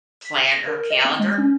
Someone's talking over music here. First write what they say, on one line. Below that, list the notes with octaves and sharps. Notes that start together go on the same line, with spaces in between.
planner calendar,
B6
A#6
A#4
D#5
C4
G#3
C#4